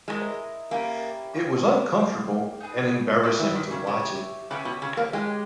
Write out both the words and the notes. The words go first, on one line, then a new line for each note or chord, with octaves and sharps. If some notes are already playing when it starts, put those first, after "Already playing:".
It was uncomfortable and embarrassing to watch it.
G#3 E4 A#4 D#5
A#3 C#4 E4 G4
A#3 C#4 G4 B4
A#3 D#4 G4
D#4 G#4 B4
B2 D#4 G4 B4 E5
E3
D#3
C#3
C#3 E4 G4 C#5
C#3 C#4 G4 B4 E5
B2
C#3
A#3
G#3 G4 C#5 G#5